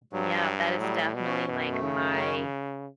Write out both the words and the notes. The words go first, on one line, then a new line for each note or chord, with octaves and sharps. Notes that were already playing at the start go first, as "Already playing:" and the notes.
yeah, that is definitely like my
G2 F#3
F#3
F#3
A2 G3
G3
B2
C#4
F#2 B2
A3
C#3
F#2
C#4